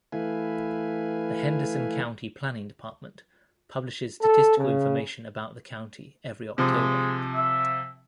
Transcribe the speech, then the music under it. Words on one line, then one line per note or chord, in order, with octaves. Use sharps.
The Henderson County Planning Department publishes statistical information about the county every October.
E3 A3 E4 B4 F5 G#5
A4
C#3
C3 F3 G#3
E5